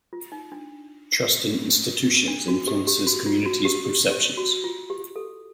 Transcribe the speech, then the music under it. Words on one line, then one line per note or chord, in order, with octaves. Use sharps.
"Trust in institutions influences communities' perceptions".
F4
D#4
D4
D4
F#4
G4
G4
F#4
F4
F#4
G4
G4
G4
F#4
F4
G4
A4